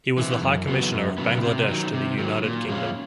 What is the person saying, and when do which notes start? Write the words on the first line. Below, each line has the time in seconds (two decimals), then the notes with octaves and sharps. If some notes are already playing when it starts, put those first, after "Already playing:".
He was the High Commissioner of Bangladesh to the United Kingdom.
0.18 C3 E3
0.42 F#2
0.67 C#3 F#3 B3
0.92 F#2
1.18 C#3 F#3 B3
1.43 C3
1.68 D#3 F#3
1.94 C3
2.18 D#3 F#3
2.43 A#2
2.68 F3 G#3 C#4 F4